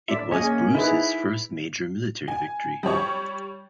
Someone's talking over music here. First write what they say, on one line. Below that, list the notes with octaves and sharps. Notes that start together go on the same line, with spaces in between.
It was Bruce's first major military victory.
D5 E5
A#3 C#4 G#4 D#5 G#5
D#4 E4 G#4 B4
G#5
G3 G4 C#5 C#6